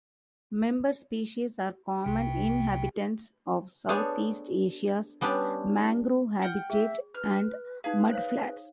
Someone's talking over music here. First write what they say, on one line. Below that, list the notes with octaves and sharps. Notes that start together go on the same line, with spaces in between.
Member species are common inhabitants of Southeast Asia's mangrove habitat and mudflats.
C2 C3 G5
B3 D4 G#4 A4 C5 C#5
G3 B3 C#4 D4 G4
F#5 G5 F6
G#4 E5
B4 F6
D#4 G#4 B4 F5
C5 C#5 F5